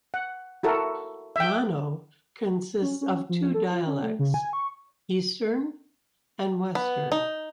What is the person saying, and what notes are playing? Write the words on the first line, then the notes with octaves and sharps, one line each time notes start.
Mono consists of two dialects, "Eastern" and "Western".
F#5
E4 F#4 A4 A#4
E5 G5
C#4
C#4
F3
A4
F4
C#4
A3
C#3
G#5
C#6
B3
D#4